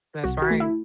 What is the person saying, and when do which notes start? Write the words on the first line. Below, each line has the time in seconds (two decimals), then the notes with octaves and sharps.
That's right.
0.24 C2 F#4
0.42 F#4
0.50 A3
0.60 E4